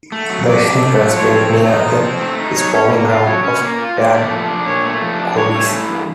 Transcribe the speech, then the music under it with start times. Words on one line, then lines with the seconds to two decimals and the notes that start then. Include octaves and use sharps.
The sneakers wait near the spawning ground of paired gobies.
0.12 A3
0.30 F#3
0.46 F#3 D5
0.65 D4
0.82 A3
0.99 F#3
1.16 F3 C#5
1.33 C4
1.52 A3
1.68 D#4
1.87 F3
2.03 C4
2.21 A3
2.38 D#4
2.56 F#3 C#5
2.75 C#4
2.91 A#3
3.08 F4
3.26 F#3 C#5
3.44 C#4
3.62 A#3
3.78 F4
3.97 A#2 D5
4.14 A3
4.31 F3
4.49 D4
4.66 A#2 C#5
4.84 A3
5.01 F3
5.19 D4
5.36 G2 C#5
5.54 A3
5.72 E3
5.89 G2